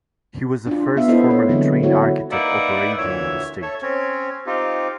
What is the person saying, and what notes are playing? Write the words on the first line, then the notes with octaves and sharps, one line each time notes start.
He was the first formally trained architect operating in the state.
D4 F4
B3 E5 F5
B3 E4 A4 C5 D#5
C#5
D3 E3 F#3 G#3 C4
E4 F#4 A4 C#5
A#3 D#4 B4 D5 E5 F#5
D2 A#2 E3 C#5 E5
A4 C#5 E5
C4 C#4 C#5
C4 D#4 F4 G4